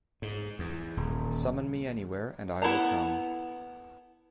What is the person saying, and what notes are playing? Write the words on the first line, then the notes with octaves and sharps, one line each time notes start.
Summon me anywhere, and I will come.
G#2
E2
D#1
B3 E4 A4 A5 A#5